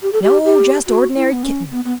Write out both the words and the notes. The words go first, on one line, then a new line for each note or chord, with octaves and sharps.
"No; just ordinary kitten."
G4
A4
G4
G4
F#4
E4
B3
C#4
B3
B3